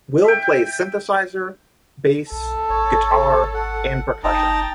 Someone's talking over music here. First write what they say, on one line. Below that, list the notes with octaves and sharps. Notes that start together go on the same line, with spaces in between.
Will plays synthesizer, bass, guitar and percussion.
E5 G5
B1 A4
G#1 C#5
F#5
F#1 D#4 G5 A5 A#5